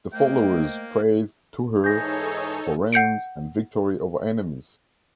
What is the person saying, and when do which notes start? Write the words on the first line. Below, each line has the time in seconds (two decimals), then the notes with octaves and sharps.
The followers prayed to her for rains and victory over enemies.
0.13 A3 A#3 C5 D#5 G5
1.84 G#2 E3 D#4 G#4 A4 C#5 G6 A#6
2.93 F#5 G6 C#7 D7